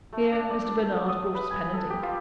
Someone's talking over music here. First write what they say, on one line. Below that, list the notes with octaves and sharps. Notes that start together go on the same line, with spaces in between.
Here Mr. Bernard brought us pen and ink.
A3
D4
D5
A5
D#6
B4
G#5
A4
G4
F4